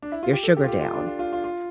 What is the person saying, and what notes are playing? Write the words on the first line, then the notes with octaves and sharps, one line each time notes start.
your sugar down.
D4
E4
F4
G4
A4
G4
F4
G4
F4
D4
F4
F4
F4
F4